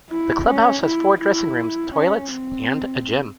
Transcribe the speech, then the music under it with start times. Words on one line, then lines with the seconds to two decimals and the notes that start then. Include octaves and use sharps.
The clubhouse has four dressing rooms, toilets and a gym.
0.11 E4
0.47 C#4
0.84 E4
1.21 E4
1.95 C#4
2.32 C4